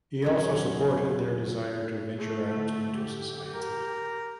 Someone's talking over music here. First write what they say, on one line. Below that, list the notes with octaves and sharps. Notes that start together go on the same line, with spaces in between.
He also supported their desire to venture out into society.
E2 F#3 C#4
A3
D3
G4
A#4